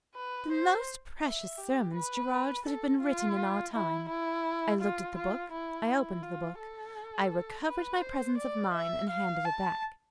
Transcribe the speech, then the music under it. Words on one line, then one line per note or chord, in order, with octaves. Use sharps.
"The most precious sermons, Gerard, that have been written in our time." I looked at the book; I opened the book; I recovered my presence of mind, and handed it back.
B4
C5
E5
G4
B4
A4
F4
E4
E4
F4
F4
E4
E4
F4
A4
B4
C5
D5
E5
F5
A5